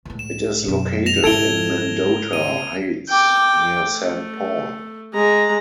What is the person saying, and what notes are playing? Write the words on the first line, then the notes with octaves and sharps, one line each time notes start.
It is located in Mendota Heights near Saint Paul.
C#2 A2
E7
F#2 B2
A#6 E7 F7
G#2 C#3 E4 A4 G#6 D7 G7
D#7
G5 D6
A3
G#3 A#5